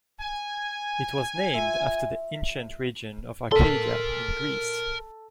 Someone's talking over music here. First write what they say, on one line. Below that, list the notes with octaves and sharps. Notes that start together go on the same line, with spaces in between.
It was named after the ancient region of Arcadia, in Greece.
G#5
F4 E5
A4 A#4 C6